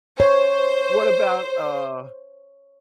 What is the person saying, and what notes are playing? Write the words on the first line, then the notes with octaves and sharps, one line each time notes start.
What about, uh
C5 C#5